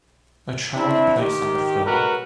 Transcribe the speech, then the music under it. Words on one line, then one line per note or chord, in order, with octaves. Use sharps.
A child plays on the floor.
C4 D4 E4
D#3 G4
B1 G#3 F#4 A#4 B4